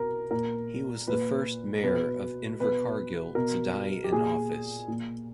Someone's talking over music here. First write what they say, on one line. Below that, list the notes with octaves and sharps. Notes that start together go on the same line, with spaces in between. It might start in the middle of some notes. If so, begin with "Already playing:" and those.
He was the first Mayor of Invercargill to die in office.
Already playing: B2 A#4
A#2 A#4
A#2 B4
B2 B4
B2 B4
B2 A#4
G4
A#2 G#4
A#2